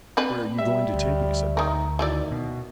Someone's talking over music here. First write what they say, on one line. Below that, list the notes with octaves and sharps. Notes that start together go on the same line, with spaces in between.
'Where are you going to take me?' said Bob.
C4 D4 B4
G3 E5
D2
D#3 A#4
D#3 F#3 E4 D5
B2